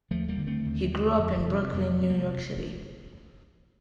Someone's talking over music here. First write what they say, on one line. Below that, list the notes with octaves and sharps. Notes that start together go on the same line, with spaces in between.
He grew up in Brooklyn, New York City.
D#2 F3 A3
G3 A#3
D3
A3 C4
D#2
D3
F2
C3
D4
C4
F2 G3 A#3
C3 A3
G3 A#3